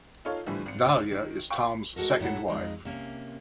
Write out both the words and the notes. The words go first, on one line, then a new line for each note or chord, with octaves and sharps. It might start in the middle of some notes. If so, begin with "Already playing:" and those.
Dahlia is Tom's second wife.
D#4 F4 A4 C#5 F5
A2 D3 E3 F3 G3
G#1 C#7
D2 C#5
D#3
F5 G5 C#6
G#3 F#4 A4 A#4
A2 F#3 E4 A4 F#5
F2 G#2 G#3 D#4
C3 A#3 C#4